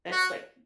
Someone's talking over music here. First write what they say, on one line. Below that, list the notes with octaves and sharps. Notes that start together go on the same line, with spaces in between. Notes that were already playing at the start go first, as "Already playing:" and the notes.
That's, like,
F#4